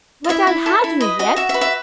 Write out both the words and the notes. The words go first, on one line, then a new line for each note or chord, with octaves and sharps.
'But I'll have you yet.
D#5
E4 E5
E4
A4
E4
B4 D#5
F#4 D#5
F#4 E5
E5
B4
E5